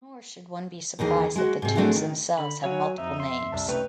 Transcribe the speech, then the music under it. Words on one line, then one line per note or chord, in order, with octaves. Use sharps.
Nor should one be surprised that the tunes themselves have multiple names.
D#2 D#3 E3 G#4
G#3 F#4
G#2 C3
A3 C4 D4 E4 F#4 G#4
D#3
D3 B5
F#3 C#5 F5 F#5 G#5
F2 D#4 E5
C6
C2 A5
A3 C#4 D#4 B4 G5